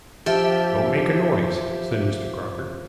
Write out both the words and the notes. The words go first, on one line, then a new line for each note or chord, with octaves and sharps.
"Don't make a noise," said Mr. Crocker.
F3 G4 E5